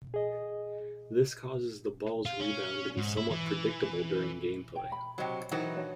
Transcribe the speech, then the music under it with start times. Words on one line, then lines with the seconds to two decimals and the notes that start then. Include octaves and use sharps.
This causes the balls' rebound to be somewhat predictable during game play.
0.14 G#4 D#5
2.25 F4
2.40 C#4
2.97 G#2
3.17 E4
3.30 E3
4.75 C#5 G5
4.92 B5
5.18 C3 F#3 C5 D#5 G5
5.52 E3 F#3 D#4 A#4 C5 G5
5.77 D4 F#4 C#5